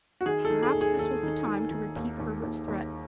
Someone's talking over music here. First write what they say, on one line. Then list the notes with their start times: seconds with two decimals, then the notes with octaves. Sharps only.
Perhaps this was the time to repeat Herbert's threat.
0.21 F#4
0.25 D#3 G#4
0.45 A4
0.50 D#3
0.63 G#4
0.74 D#2
0.81 G#4
0.98 D#2 A4
1.23 D#3
1.47 D#3
1.71 D#3
1.96 D#2
2.19 D#2
2.44 D#2
2.68 D#2